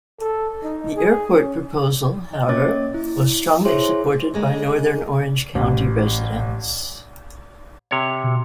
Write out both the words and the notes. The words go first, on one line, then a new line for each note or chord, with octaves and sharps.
The airport proposal, however, was strongly supported by Northern Orange County residents.
A4
D#4
G#4
C#4
D#5
A#3 C#4 C#5 D6 A6
E4
E4 G#4 C5 C#5 E5 C6
C#3 G#3 A#3
A1
C3 C#5
B2